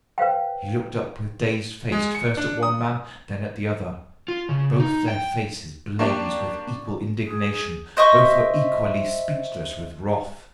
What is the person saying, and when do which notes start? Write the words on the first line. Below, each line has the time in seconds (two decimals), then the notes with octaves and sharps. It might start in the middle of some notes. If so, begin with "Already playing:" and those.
He looked up with dazed face first at one man, then at the other: both their faces blazed with equal indignation; both were equally speechless with wrath.
0.18 B4 C5 F5 G5
1.92 G#3
2.15 C#7
2.37 D4
2.63 D#6
4.28 F4
4.49 C#3
4.80 D#4
5.08 G5
5.99 A#3 D4 G4 D5 C#6
7.23 G#4
7.97 C5 D#5 E5 C#6